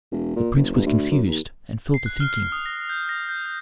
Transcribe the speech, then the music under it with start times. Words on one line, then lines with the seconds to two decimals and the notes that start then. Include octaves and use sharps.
The prince was confused and fell to thinking.
0.12 E1
0.36 A#2
0.56 F#1
0.74 G1
0.86 D2
1.11 F#2
1.26 D#2
1.94 C7
2.06 F#6
2.20 F6
2.34 F6
2.52 D#6
2.66 A#6
2.89 G6
3.09 A#6
3.29 G6
3.46 G6